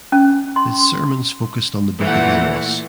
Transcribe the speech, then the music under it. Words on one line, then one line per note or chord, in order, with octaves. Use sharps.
His sermons focused on the Book of Amos.
C#4
C6
A#2 E3 A3 F#5